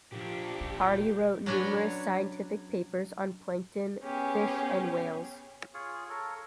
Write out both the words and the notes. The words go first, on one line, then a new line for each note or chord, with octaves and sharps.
Hardy wrote numerous scientific papers on plankton, fish and whales.
A#2 F3 D4 G4
F4
F#3 C#4 D4 B4 C#5
B3 C#4 G4 G#4
F4 G#4 C#5
A4 A#4 C#5